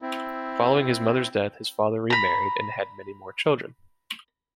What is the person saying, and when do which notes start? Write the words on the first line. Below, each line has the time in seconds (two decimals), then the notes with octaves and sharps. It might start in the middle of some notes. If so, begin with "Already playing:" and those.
Following his mother's death, his father remarried and had many more children.
0.02 C4 E4
2.10 A#5 B5